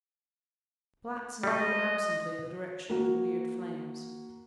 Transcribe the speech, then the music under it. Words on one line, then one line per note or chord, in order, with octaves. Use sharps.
Platts nodded absently in the direction of the weird flames.
G3 A3 D#5
A#3 F#4